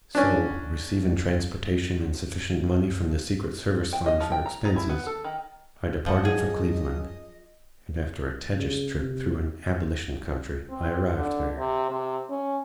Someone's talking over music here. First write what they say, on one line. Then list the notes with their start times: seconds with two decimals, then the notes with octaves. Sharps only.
So, receevin transportashen and suffishent money from the secret service fund for expenses, I departed for Cleveland, and after a tejus trip thro' an Ablishn country, I arrived there.
0.15 C#4 D4
3.93 G5
4.06 D#5
4.20 F3
4.32 G5
4.46 A#5
4.65 D#4
4.76 E4
4.89 B3
5.07 A4
5.24 D#3
6.06 F#2 F3 D#5 F#5
6.25 G#4
8.56 C#3
8.99 C3
10.70 C4
11.17 D3
11.58 C3
11.90 C3
12.30 C#4